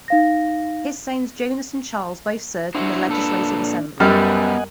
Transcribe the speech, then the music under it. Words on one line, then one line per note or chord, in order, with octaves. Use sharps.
His sons Jonas and Charles both served in the legislative assembly.
D#4 F5 A#6
D4 E4 F#4 C5
A#2 A4 B4
F#2 F#3 G3 B3 D#5 F#5 G#5 F6